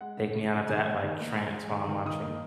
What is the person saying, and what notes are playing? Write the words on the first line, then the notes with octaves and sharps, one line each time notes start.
take me out of that, like, trance while I'm watching.
G#3 F#5
C#3
C#3
C#3
D#3 G#5
A#3
D#3
A#3
G#3 G#5
G#3
D#3
D#3
D#3 D#6
A#3